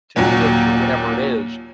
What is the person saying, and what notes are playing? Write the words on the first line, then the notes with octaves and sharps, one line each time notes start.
statistics, or whatever it is,
D#2 A#2 F#3 C#4